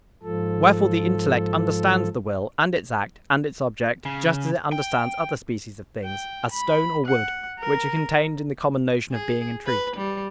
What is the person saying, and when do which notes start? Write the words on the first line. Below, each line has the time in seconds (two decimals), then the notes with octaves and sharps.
Wherefore the intellect understands the will, and its act, and its object, just as it understands other species of things, as stone or wood, which are contained in the common notion of being and truth.
0.23 G#2 F3 A4
4.05 C#3
4.72 G5
6.04 G5
6.52 B5
7.06 F#5
7.59 A#4
9.12 G#4
9.66 B4
9.97 G3